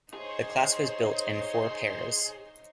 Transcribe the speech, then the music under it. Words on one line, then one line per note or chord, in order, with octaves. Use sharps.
The class was built in four pairs.
D#4 G#4 C5 C#5 C6